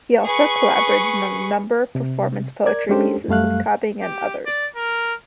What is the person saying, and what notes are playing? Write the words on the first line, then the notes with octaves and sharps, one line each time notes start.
He also collaborated on a number of performance poetry pieces with Cobbing and others.
G#4 B4 C#6
C3
A#4 D5 G#6
G#3 C#4 D4 G4 A4 C5
F#2 G3 A3 F5 F#6
G4
D5
A#4